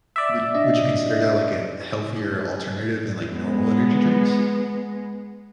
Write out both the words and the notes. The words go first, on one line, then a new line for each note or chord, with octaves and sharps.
Would would you consider that, like, an healthier alternative than, like, normal energy drinks?
D5 E5
D4 D#5
G#3 B3